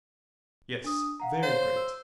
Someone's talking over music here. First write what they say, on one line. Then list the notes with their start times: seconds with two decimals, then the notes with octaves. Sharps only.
Yes, very great.
0.84 D4 D#6
1.20 F5 F#5 A#5
1.42 C5 C#5 F5
1.76 E6